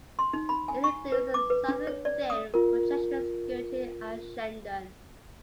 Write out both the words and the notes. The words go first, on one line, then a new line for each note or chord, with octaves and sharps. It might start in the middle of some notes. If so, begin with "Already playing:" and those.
It includes a southern thin projection skirting Ashendon.
C6
D#4
B5
G#5
C#6
B4
D6
B4
D4
C#5
D5
D#6
F4 A#4